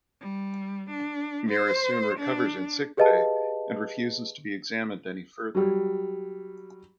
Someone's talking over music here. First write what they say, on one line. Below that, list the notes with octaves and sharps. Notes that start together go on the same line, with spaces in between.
Mira soon recovers in sickbay and refuses to be examined any further.
G3
D4
C5
D4
G4 G#4 B4 D#5 F5 A5
F#3 G3